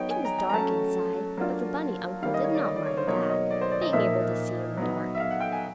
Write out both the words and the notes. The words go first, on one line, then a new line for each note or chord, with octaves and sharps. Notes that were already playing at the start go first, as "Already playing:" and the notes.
It was dark inside, but the bunny uncle did not mind that, being able to see in the dark.
Already playing: F#3 B3 D#4 C#5 G5
G#5
A#5
A#5
A#5
F#3 A3 C#4 A5
F#3 A#3 D4 F4
D#3 G3 A#3 F5
D#5
C#5
D5
D#5
D5
C#5
C5
B2 F#3 A#3 D#4 C#5
D#5
D5
C5
D5
D#5
A#2 F3 A#3 D#4 E5
F#3 B3 D#4
E5
F5
F#5
G5
G#5